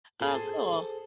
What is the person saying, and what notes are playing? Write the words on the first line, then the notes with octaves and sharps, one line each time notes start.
Oh, cool.
G#4 A4 C5